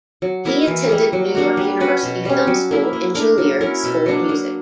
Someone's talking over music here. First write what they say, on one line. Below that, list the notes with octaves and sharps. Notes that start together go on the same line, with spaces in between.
He attended New York University Film School and Juilliard School of Music.
F#3
A#3 E4 A#4
E3
G3 A#3
F#3
A#3 D4 F#4
G3
C#4 F#4 B4
B2
G3 C#4
F#3
A#3 E4
A#3
D4 A#4
F#3
C#4 E4 A#4
B2
F#3 A#3 D4
A#3